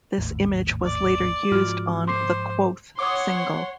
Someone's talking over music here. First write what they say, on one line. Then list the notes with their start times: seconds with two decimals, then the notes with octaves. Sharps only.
This image was later used on the Quoth single.
0.18 G#1 D#2 A2
0.86 D5
1.51 G#2 F3 G#3 F4 F#4 F6
2.08 C5 C6 D6 C7
2.99 C#5 F#5 C6 D6 D#6